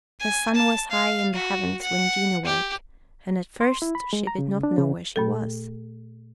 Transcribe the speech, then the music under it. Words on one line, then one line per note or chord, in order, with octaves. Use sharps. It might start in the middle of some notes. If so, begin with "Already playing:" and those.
THE sun was high in the heavens when Jean awoke and at first she did not know where she was.
G#5
A5
F5
F#4
F#5
G4
C6
E4
B5
G#3
A#5
C#3
D4
C#3
A#2 A3 A4